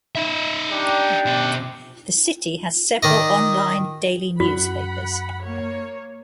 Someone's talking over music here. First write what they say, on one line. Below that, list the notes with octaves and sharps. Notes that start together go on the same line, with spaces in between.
The city has several online daily newspapers.
D#4 E5
D4 G4
B2 C5
D#3 D5 D#5
F#2 F#4 F#5 B5
A#3 C#5